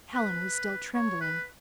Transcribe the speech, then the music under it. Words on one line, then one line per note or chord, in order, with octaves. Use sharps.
Helen was still trembling.
B4
C#5
B4